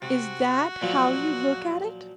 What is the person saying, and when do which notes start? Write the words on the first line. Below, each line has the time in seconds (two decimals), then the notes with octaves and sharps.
Is that how you look at it?
0.02 C3 F#4
0.81 A#2 F3 F#3